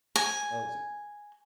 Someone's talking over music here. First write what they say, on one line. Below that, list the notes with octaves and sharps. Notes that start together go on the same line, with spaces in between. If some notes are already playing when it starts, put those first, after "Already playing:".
Oh, so
G#5